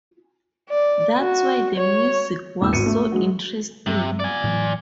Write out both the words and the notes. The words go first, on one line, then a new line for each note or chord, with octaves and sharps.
That's why the music was so interesting.
D5
F#4
C#5
E1 A2 E6
G#1 C#7 D#7
A3
F#3 G#3
G2 C3 F#3 G3
D5 G#5
A2 E3 F#3